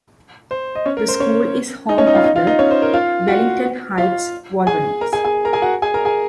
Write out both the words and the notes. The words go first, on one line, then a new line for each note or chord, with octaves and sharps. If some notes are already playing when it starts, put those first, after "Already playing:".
The school is home of the "Wellington Heights Wolverines".
C5
D#5
C#4 C#5
A#4
C5
C#4 C#5
D#4 D#5
C#4 C#5
D#4 D#5
F4 F5
D#4 D#5
F4 F5
D#4 D#5
C#4 C#5
C5
A#4
F4 F5
F#4 F#5
F4 F5
G#4 G#5
A#4 A#5
G#4 G#5
G#4 G#5
A#4 A#5
G#4 G#5
F#4 F#5
G#4 G#5
A#4 A#5
G#4 G#5